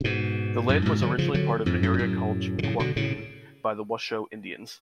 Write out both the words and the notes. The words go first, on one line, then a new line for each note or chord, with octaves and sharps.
The land was originally part of an area called Chinquapin by the Washoe Indians.
C#3
G#2 B2
F#2 A2
G#2 B2
D3 F#3
C#3 F3
D3 F#3
F2 G#2
F#2
G#2
F#2 A2
D3
A2 C#3
B2 D3
A2 C#3